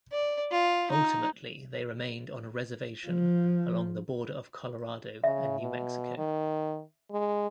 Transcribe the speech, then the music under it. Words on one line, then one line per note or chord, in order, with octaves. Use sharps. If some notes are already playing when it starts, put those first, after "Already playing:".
Ultimately they remained on a reservation along the border of Colorado and New Mexico.
D5
F4
D#4
F3
C#3 E5
B2
D#3
G#3